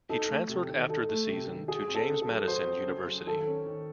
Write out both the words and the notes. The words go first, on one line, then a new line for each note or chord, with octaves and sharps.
He transferred after the season to James Madison University.
D#4 A4
A3
C3
D#3
D#4 A4
A3
C3
D#3
F#4 G#4
C4
A4
C#3
A4
F#3
F#4 C5
C4
C#3
F#3
D#3 A4
C#4
D#3